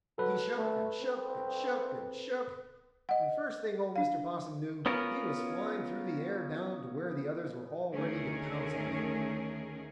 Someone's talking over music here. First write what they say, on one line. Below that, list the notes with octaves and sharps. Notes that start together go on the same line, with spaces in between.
He shook and shook and shook and shook, and the first thing old Mr. Possum knew, he was flying through the air down to where the others were all ready to pounce on him.
F#3 A4 B4
A3
C4
D#5 F#5
D4 F5
B3 C#4 F4 A#4
D2 D#3 A3 C#4 G#4 A#4